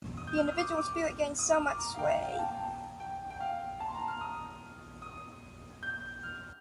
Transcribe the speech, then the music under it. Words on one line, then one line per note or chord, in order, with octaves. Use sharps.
The individual spirit gains so much sway.
D#6
G6
F6
D#6
D6
D6
D#6
F6
D6
A#5
F5
G5
F5
G5
A5
G5
G5
F5
A5
C6
A#5
F6
D#6
D#6
G6
F6